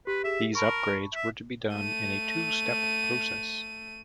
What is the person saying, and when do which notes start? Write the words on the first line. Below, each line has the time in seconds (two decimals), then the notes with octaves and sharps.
These upgrades were to be done in a two-step process.
0.07 G4 B4
0.24 G4 G#4 E5 E7
0.55 A#4 A5 B5 C#6
1.15 E5
1.70 A3 D#7